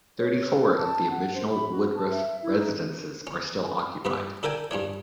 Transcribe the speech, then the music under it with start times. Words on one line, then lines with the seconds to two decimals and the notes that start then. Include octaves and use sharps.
Thirty-four of the original Woodruff residences are still occupied.
0.19 C#5
0.45 B4
0.76 A5
1.11 F#5
1.34 C5
1.49 B5
1.71 F#4
1.95 A5
2.11 E5
2.43 E4
2.59 D#4
3.27 C#4
4.05 G2 B3 B4
4.43 D4 A4 A#4 G5 G#5
4.71 G2 C#4 D4 C#5